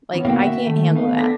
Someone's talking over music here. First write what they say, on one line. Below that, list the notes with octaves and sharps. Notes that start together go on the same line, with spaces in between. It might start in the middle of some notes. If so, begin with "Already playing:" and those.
like, "I can't handle that."
E3 B3 C#4
D3 A#3 B3 F#4 F5 G5
E5
D#3 A3
B3 F5
D4 A4 A#6 B6